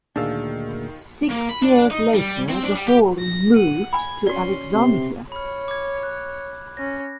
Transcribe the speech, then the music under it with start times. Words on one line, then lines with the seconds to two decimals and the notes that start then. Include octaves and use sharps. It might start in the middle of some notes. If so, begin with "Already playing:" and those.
Six years later the Hall moved to Alexandria.
0.16 D2 A#2 D#3 A#3 D4 G#4 F5 E6
1.31 A#3
1.49 B5
1.62 D4
1.91 D#4
2.14 G3
2.49 C4
2.63 D4
2.76 G3
2.88 G4
3.19 A#6
3.54 F#5 D#7
3.93 G#5 B5 G#6
4.27 C#4 F#4 D5 C6
4.74 C3 C6
5.32 C#5 B5 F6
5.68 D6 G#6
6.03 F#6
6.77 C#4 A#6